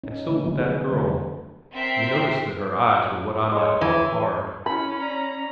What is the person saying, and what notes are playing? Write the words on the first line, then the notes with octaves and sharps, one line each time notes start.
And so with that girl. You noticed that her eyes were what I might call hard.
C#4 D#4
D3 A3
C3 F3 F#3 A#3
B3 C4 D#4 G4 G#4 B4
D3 G3 A3
C4 A#4 E5 G5 B6 C7
G#3 C#5
E3
C#4 E4 B5
D5 A#5